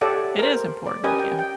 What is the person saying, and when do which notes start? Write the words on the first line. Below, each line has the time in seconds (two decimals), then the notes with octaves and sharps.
It is important. Yeah.
0.01 G4 A4 C#5 D5 E5 F#5
0.39 A#4 C5
0.86 D5
1.04 C#4 G4 A#4 B4 D#5 G#5
1.20 G5
1.39 G5